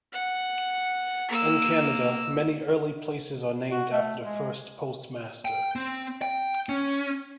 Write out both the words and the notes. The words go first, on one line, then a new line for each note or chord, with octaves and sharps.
In Canada, many early places are named after the first postmaster.
F#5
A#3 E6
F#4
A3
G#3
G5
C4
G5
C#4